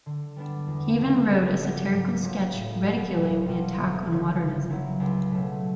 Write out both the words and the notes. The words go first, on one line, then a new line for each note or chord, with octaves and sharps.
He even wrote a satirical sketch ridiculing the attack on modernism.
D3
G3 B3 D4
E2
C#3 F3 A3
C#3
F#3 A3 D4 G4
G#2
F3 A#3 C#4 F#4
A2
F#3 B3
C2
B2 G3 C4 F4
D2
C#3 F3
C#3
F#3 A#3 C#4 E4
C#2
B2 F#3 A3 C#4